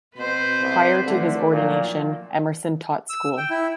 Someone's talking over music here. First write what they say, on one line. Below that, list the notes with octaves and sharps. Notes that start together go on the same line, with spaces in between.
Prior to his ordination, Emerson taught school.
B2 C4 B4 C5
C2
D3 F3 A3 E4
A#2 D#3 F3 F#3
E6
G5
E4